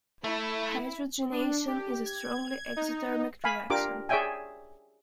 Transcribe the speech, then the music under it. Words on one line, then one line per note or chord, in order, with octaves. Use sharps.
Hydrogenation is a strongly exothermic reaction.
A3 E4
D4
G4
G#6
D#4
F5 G#5 B5
D4 F4 G4 A#4 D6
G#4 C#5 D5 E5 G5 G#5